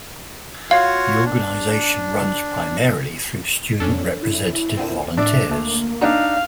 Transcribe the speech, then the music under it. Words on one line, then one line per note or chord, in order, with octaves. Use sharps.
The organization runs primarily through student representative volunteers.
F4 F#4 C#5 F5
D4
F2 C#4 D4 A4
E4
A#2 D3 C4
A2 D4 D5 E5 D7
D2 A3 A#3
D4 D#4 F5